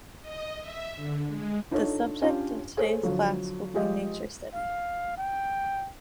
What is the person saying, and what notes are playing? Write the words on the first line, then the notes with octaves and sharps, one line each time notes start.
The subject of today's class will be nature study.
D#5
E5
D3
G#3
D4 D#4 F4 A4 C#5
C#4 D4 F4 G4
G#4 A4 C5 C#5
D3 F3 F#3
F3 G#3 G4 D#5
F5
G5